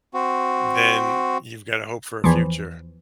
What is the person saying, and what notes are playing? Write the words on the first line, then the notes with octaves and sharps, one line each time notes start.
then you've got a hope for a future.
C4 F#4
E2 E3 F3